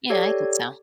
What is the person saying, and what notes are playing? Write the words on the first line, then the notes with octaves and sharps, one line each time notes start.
Yeah, I think so.
G4 A4 C#5 D5